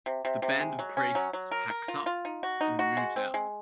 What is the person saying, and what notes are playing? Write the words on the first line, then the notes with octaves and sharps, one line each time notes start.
The band of priests packs up and moves out.
C3
C3
C3
G#3
F#3
C#4
F#3
F#3
A#4
A#4
F4
F4
D#4
F#4
D#4
F#4
G#3
C4
G#3